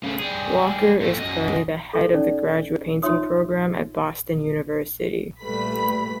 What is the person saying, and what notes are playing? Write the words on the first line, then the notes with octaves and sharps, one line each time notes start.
Walker is currently the head of the graduate painting program at Boston University.
C#3 A3
G3 G#4
A#2 A3
F#2 D#5
A4 C#6
C#4 D#4 D5
D#4 F4 C#5 E5 C6 D#6
A#2 G3 A3 B4 B5 B6